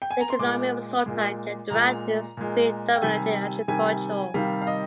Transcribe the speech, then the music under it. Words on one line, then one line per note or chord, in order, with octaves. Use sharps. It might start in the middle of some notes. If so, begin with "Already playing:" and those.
The economy of Sultan Kudarat is predominantly agricultural.
G5
G#5
A#5
C6
A#2 G#3 D6
A#2 G#3
A#2 G#3 A#5
A#2 G#3
G5
C3 D#3 G3 G#5
C3 D#3 G3 G#5
C3 D#3 G3 F5
F5
D#5